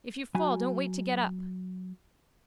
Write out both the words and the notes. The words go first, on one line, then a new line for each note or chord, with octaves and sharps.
If you fall don't wait to get up.
F#3 G#5 B5